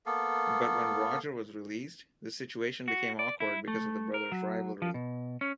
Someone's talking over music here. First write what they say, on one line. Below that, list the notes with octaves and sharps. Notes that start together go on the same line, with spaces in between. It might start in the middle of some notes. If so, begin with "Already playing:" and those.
But when Roger was released, the situation became awkward because of the brothers' rivalry.
A#3 B3 A4
F#4
D5
E4
A3
A#4
F#3
F3
B2
C#4